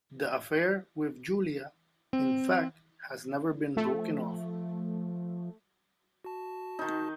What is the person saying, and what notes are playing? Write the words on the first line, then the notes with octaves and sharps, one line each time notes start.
The affair with Julia, in fact, has never been broken off.
C4
F3 A3
F#4 A5
D#3 D#4